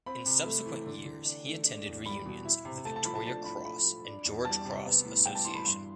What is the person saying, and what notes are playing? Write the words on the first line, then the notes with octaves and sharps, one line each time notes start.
In subsequent years he attended reunions of the Victoria Cross and George Cross Association.
C4 B5
C3
A3
E3
D3
D3
D4
A3
D4
E2
G3 B5
B2
E4
C3
A3 A5
A5
F3 B5
A5
D4 A5
A2 B5
A3 B5
F3
D4
E2
G3 A5
C3
B3
A2
G3 G5
A5
E3 C6
B5
G2 C6